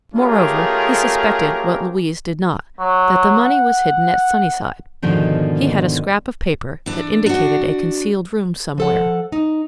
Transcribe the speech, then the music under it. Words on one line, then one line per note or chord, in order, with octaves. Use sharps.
Moreover, he suspected what Louise did not, that the money was hidden at Sunnyside. He had a scrap of paper that indicated a concealed room somewhere.
A3 C#4 F4 G4 G#4 A#4
F#3
F#5
G#2 B2 D3 D#3 F3
E3 D4
D4 F#4
F3 A4 F#5
D#4